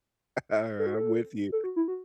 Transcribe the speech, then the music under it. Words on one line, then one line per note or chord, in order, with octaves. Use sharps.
Alright. I'm with you.
A4
F#4
A4
A4
F#4
E4
F#4